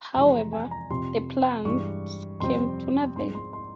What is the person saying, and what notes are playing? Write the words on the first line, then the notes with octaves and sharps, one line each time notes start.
However, the plans came to nothing.
F2 C3 E3 G#3 C6
A#5
G#5
A#5
F2 C3 F3 C4 C6
G2 E3 G#3 C#6
F2 C3 G3 C4 C6
G#2 F3 G#3 C4 C6
C6
C6